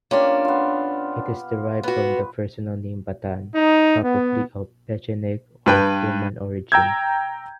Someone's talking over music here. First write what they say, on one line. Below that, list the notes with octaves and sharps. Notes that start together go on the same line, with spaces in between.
It is derived from the personal name Batan, probably of Pecheneg or Cuman origin.
A#3 C#4 D4 F4 G4
B3 F4
B3 F#4 B4
D#4
B3
G2 B4 G5
G5 A#5 E6 G6 G#6